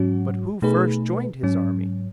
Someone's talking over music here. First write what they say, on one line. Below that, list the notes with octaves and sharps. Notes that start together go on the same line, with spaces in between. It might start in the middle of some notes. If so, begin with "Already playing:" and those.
But who first joined his army?
Already playing: G#2 F#3 C#4 F#4
B2 A3 D#4 G#4 B4
G#2 F#3 C#4